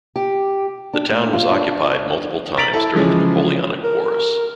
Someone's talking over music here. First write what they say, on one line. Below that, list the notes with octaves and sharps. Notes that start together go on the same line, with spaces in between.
The town was occupied multiple times during the Napoleonic Wars.
G4
D4
A2
F4
D4
A#5 A6 B6 D7 F7 F#7
E4 A4
C#3 E3 F3 G#3 C#4
A#4